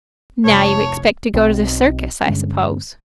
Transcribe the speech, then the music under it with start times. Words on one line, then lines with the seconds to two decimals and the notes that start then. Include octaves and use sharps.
"Now you expect to go to the circus, I suppose."
0.44 F1 C#5 A5
1.34 B1 C4
2.26 G2 D3 G#3 C#4